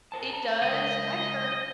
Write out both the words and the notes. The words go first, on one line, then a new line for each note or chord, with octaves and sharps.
it does I've heard
A#4 C5 A5
A#5
C#2 A#4 D#5